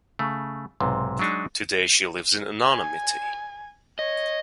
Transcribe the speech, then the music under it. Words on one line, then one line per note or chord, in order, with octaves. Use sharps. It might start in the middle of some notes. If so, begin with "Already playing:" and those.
Today she lives in anonymity.
C#3 A3
B1 G#2 C3
F#3 G#3 D4 D#4
G#5
C#5 D#5